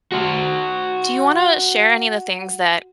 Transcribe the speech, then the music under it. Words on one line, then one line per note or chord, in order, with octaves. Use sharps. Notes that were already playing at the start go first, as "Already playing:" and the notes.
Do you wanna share any of the things that
F#4 C5